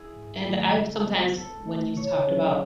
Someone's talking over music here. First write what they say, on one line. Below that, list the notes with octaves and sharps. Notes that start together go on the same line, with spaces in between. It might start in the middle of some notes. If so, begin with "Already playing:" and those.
and I sometimes when you talked about,
Already playing: E4 G#4
G#2
D#3 F#3 A3
C#3
F#3 B3
E2 A4
D#3 A3
B2 C#5
F#3 C#4 G#4